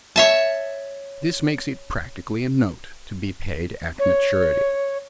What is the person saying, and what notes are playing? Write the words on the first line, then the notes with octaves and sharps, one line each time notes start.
This makes it practically a note, to be paid at maturity.
C#5 E5 A5
C#5